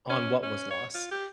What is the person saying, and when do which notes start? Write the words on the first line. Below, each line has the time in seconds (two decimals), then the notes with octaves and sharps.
on what was lost,
0.10 C#4
0.43 C#4
0.71 C#5
0.94 F4
1.11 G4